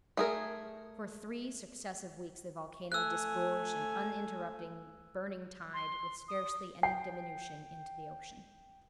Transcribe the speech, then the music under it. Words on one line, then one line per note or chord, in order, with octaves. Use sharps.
For three successive weeks the volcano disgorged an uninterrupted burning tide, with scarcely any diminution, into the ocean.
A3 G#4 A#4
A3 G#5 E6 F#6
C6
D#6
G5 C7